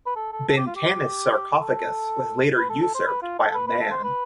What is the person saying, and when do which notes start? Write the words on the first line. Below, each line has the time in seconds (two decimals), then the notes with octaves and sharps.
Bintanath's sarcophagus was later usurped by a man.
0.06 B4
0.16 A4
0.32 A4
0.48 A4
0.57 G4
0.67 F4
0.76 G4
1.61 A4
2.58 B4
2.70 A4
2.82 A4
2.95 C5
3.07 B4
3.22 F4
3.39 A4
3.51 A4
3.55 B4
3.67 B4
3.80 A4
3.91 C5
4.04 B4